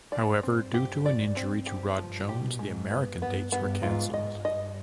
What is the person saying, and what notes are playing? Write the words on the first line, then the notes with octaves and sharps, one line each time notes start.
However, due to an injury to Rod Jones, the American dates were cancelled.
G2 D5
C4
G4
D5
C4
G4
G2 F3
B2 G4
G#2 G#3
G2 B3
G2 B3
G2 B3
G#2 F4
G#2 D#5
G2 D#5